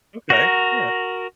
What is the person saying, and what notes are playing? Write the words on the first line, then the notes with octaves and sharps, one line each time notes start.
Okay. Yeah.
F#4 A#4